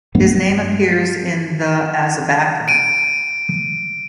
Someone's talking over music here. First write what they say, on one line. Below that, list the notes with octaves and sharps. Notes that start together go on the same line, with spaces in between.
His name appears in the as a backer.
G2 F#3 A3 B3
D7 D#7